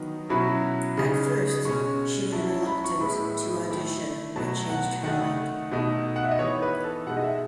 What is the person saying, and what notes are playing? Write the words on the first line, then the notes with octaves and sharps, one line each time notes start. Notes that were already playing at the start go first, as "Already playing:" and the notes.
At first, she was reluctant to audition but changed her mind.
Already playing: D#3 F#3 B3 D#4
B2 F#3 C#4 E4 B5
C#3 G#3 D#4
B2 G#3 C#4 C#6
F#3 C#4 E4 A5
A5
B5
C#6
A2 G#3 B3 E4 B5
D#3 A3 E4
B2 F#3 A3 A5
F#5
D#3 A3 D#4 F#5
B2 A3 D#4
F#5
E5
D#5
E3 B3 D#4 C#5
B4
A4
B2 G#3 D#4 F#5
D#5
E5